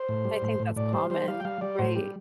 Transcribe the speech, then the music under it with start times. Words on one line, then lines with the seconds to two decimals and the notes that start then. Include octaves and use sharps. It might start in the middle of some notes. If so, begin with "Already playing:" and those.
I think that's common, right.
Already playing: C5
0.09 A2
0.25 G3
0.42 A2
0.60 A2
0.76 A2 D5
0.93 G3 C5
1.10 G3 C5
1.28 G3 F5
1.40 G5
1.45 G3 F5
1.61 G3 D5
1.79 A2 C5
1.95 G3 G4